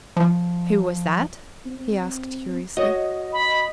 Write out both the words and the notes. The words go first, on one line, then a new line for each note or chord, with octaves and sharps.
"Who was that?" he asked curiously.
F3
C4
F#4 C#5 D#5
B5